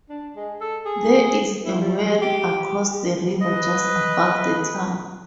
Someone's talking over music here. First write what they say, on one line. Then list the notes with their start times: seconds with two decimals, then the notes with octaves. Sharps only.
There is a weir across the river just above the town.
0.09 D4
0.36 G#3
0.61 A4
0.85 G#4
1.66 E4
1.81 G3
2.05 G#3
2.22 G4
3.41 B4 D#5